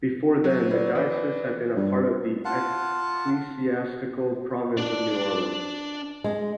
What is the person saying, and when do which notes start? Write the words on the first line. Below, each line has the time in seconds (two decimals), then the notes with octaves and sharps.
Before then, the diocese had been part of the Ecclesiastical Province of New Orleans.
0.44 F#3
0.71 B4 D5
0.95 E3
1.76 G2
2.45 F4 F5 F#5 A5
4.77 D4 D5
6.24 G#3